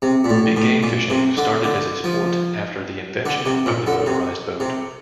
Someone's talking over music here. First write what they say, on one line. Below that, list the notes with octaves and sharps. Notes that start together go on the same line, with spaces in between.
Big-game fishing started as a sport after the invention of the motorized boat.
C3
A#2
A2
A2
A#2
C3
D3
D3
F3
D3
C3
A#2
D3
C3
C3